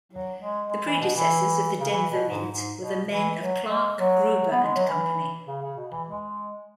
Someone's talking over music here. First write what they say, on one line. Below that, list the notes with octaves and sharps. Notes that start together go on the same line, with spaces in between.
The predecessors of the Denver Mint were the men of Clark, Gruber and Company.
F#3
G#3
G#3
E3
B2
E3
C#3
E3
B2
G#2
G#2
B2
E3
F#3
G#3
F#3
B3
G#3
F#3
E3
C#3
C#3
B2
E3
G#3